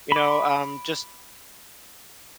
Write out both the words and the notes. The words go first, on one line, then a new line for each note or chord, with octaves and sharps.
you know, um, just
B5 D6